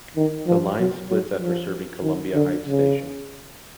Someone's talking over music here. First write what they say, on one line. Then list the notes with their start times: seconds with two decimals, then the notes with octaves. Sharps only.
The line splits after serving Columbia Heights station.
0.16 D#3
0.47 F3
0.78 F#3
1.10 F#3
1.41 F3
2.02 D#3
2.34 D3
2.65 C#3